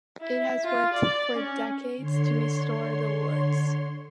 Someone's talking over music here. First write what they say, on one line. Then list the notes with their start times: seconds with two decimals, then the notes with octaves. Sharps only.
It has worked for decades to restore the woods.
0.20 E4
0.63 F4
0.93 D5
1.34 C#4
1.97 D3 C#5 C6